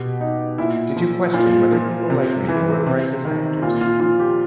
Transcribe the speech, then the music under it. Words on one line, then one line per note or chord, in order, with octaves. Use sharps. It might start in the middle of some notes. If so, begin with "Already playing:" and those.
Did you question whether people like me were crisis actors?
Already playing: B2 G4
D#4
A#2 E4
F3
A#2 F4
F3
C3
E3
C3
D#3
A#2 F4
F4
F3 F4
G4